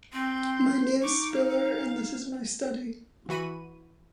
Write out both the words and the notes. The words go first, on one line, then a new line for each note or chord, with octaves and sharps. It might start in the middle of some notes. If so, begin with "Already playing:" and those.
My name's Spiller, and this is my study.
C4 C6 G6
D#4 C#6 D6
F5
E3 F#4 B5 D#7